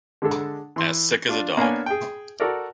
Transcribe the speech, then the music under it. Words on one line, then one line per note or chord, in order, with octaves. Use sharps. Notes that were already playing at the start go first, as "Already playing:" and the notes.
As sick as a dog.
D3 G#3 D4 A4
E3 C6
D4 F4
A#3 B3 D4 C#5 F5 G#5
G#4 G5
F#4 A4 A#4 D5